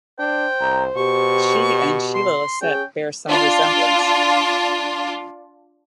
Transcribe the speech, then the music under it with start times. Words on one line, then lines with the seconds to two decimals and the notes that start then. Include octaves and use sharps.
She and Sheilla Lissette bear some resemblance.
0.19 D4 C5 G5
0.61 C2 A#5
0.97 B2 G4 C#6
2.15 C6
2.62 C#4 G#4 G5
3.28 D4 F4